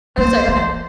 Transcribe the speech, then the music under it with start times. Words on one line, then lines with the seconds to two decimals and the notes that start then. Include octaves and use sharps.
Oh, sorry, go ahead.
0.18 A#3 C5
0.48 E3